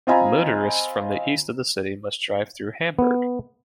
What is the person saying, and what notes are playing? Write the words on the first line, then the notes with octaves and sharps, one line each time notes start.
Motorists from the east of the city must drive through Hamburg.
C4 F4 D#5 G#5 A#5 B5
B3